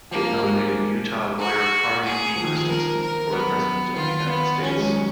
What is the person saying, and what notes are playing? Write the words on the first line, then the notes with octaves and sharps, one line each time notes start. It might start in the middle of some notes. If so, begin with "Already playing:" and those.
It nominated Utah lawyer Parley P. Christensen for President of the United States.
F3 A#3
G#3
F#4
A#3 G#4
F3
D#3
F3
F3 A#4
A#4
F#3 B3
D#3 F4
B3
F3 C#4
G#3
F#3